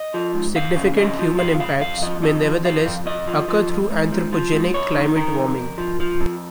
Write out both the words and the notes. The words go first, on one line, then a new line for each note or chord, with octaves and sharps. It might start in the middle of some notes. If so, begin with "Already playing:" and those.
Significant human impacts may nevertheless occur through anthropogenic climate warming.
Already playing: D#5
F3
G#2
F2 F5
C#3
F2 D#5
F3
F2 F5
C#3 F5
F2 F5
F3 D#5
F2 D#5
F3
F3 F5
F2
F2 D#5
F3
F3
F2
G#2
F3
F3
G#2
F2 C#5
D#3
D#3 A#4
F2
F2
F3
F3
F2